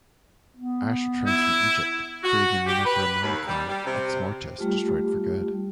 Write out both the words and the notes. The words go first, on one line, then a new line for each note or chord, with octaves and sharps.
Ash returns from Egypt, believing the Necronomicon Ex-Mortis destroyed for good.
B3
E4
F#4
G4
B4
D#2
G3
G3
C3
G3 A3 F4 G4